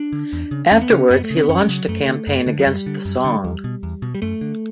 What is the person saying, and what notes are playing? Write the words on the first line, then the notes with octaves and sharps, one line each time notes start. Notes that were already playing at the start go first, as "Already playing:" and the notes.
Afterwards he launched a campaign against the Song.
Already playing: D4
D3
E2
C#3
E2 C#4
B3
C#3 C#4
F#2 B3
A3
C#3
C#4
B3
F#2 C#4
G3
C#3 F#3
F#2 A3
D3
F#2
D3
F#3
F#2 G3
D3
F#2
D3
E2
B2
E2
B2
G3
F#2 A3
D3